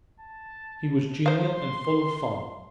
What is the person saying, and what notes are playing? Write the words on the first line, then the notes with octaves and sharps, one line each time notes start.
He was genial and full of fun.
A5
C5 F5 C6